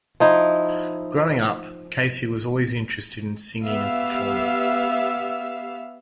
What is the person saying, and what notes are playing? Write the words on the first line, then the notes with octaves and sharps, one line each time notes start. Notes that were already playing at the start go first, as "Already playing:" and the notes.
Growing up, Casey was always interested in singing and performing.
F3 D#4 E4
B3 G4 E5 F5